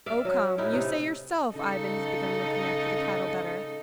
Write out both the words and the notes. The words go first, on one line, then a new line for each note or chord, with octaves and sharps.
"Oh, come, you say yourself Ivan has begun looking after the cattle better."
D5 E5 F5
F#3 C#4
A2 C#4 D#4 E4
C3 D#4
C#3 D#4 A4